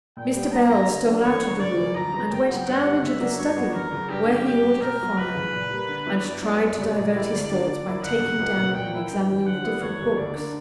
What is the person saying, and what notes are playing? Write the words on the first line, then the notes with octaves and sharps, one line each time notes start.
Mr. Bell stole out of the room, and went down into the study, where he ordered a fire, and tried to divert his thoughts by taking down and examining the different books.
A#2 G5
G3 B3
G2 A#5
F#3 A#3
D3
F#3 B3 D4 G4
E2 C#5
D3 A#3
C#3 D5
E3 A#3
D2 A#5
C#3 F#3 B3
C#3 G5
F#3 B3 F#4
G2 F#5
D3 G3 C#4 F#4
C#3 E5
F#3 A#3 D4 F#4
G2 C#5
F#3 B3 D4 F#4
E2 A#4
C#3 F#3
G2 G4
D3 F#3
G2 G4
F#3 C#4
B2 A#4
F#3 A#3
C#2 B4
C#3 E3
A#2
G3 A#3
D3
F#3 B3 E4
G2 D5
F#3 B3 E4
F#2 D5
C#3 G3 C#4
A#2
A#3 E4 G4
D2
D3 A#3 D4 G4
D3 D5
A#3 E4
D2 F#5
C#3 F#3
C#2
B2 A#3 C#4 F#4
A#2 G5
A#3 E4
G2 G5
E3 G3
D3 F#5
G3 B3 E4
E2 C#5
C#3 E3 G3
D2 D5
D3 A#3 D4